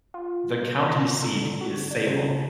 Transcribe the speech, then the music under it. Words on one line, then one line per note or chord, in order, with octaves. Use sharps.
The county seat is Salem.
F4
B2
A#5
A4
D3
F#4
D4
C#3